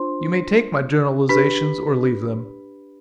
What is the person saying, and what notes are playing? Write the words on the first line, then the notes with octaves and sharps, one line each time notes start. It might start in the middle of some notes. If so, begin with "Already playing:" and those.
You may take my generalizations or leave them.
Already playing: D4 F4 C5 C6
D4 G4 B4 B5 B6